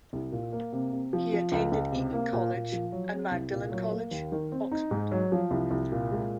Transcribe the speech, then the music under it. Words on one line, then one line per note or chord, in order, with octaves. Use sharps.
He attended Eton College and Magdalen College, Oxford.
C2
A#2
A#3
C3
C3
F3
F3
C#2
C#2
C3
A#3
A#2
A#2
F3
F#3
C4
C2
A#2
F#3
A#3
D#2
D#3
C4
D#4
G#2
F#3
F3
C2
C2
A#2
G#3